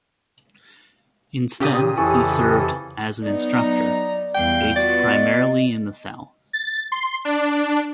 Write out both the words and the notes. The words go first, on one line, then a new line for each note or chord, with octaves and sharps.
Instead, he served as an instructor, based primarily in the South.
A#2 C#3 G4 D#6
F2 E3 E4 A4 G#5 C#6
F#3 B3 D#4 D5
A#5
E2 G3 F5 G5
B3 F4 F#4 D5
D#5
A6
C6
D4